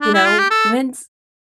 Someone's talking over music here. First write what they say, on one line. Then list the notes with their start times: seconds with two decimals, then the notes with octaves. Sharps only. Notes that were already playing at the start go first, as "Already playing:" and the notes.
you know, when's
0.01 D4
0.14 E4
0.26 F4
0.39 G4
0.50 A4